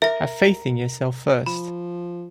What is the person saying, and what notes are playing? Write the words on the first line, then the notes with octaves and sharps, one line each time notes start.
Have faith in yourself first.
A#4 E5 A#6
F3 B5